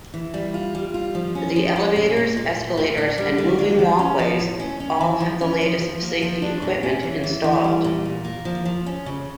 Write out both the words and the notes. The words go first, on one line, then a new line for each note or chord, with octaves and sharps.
The elevators, escalators and moving walkways all have the latest safety equipment installed.
E3
G3
F4
G3
F4
F3
C#4
F3
C#4
A#2
A#2
A#2
A3
A#2
D4
G3
A#3
D3
F3
C#4
F3
A2
C#4
C#4
E3
F3
C#4
F3
F3
A#3
F3
D4
A#2
C#4
E3
E3
E3
G3
A#2
A#3
A#3
F3
F3
C#4
C#3